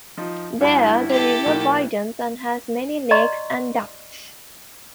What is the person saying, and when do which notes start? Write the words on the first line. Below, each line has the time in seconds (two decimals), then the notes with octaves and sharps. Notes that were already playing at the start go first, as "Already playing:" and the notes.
There, the river widens and has many lakes and ducts.
0.17 F3 D#4 F4
0.61 G2 E4 F#4 B5
1.09 G4 A4
1.46 B1 A#3 G5
3.11 D5 D#5 A#5 C6 C#6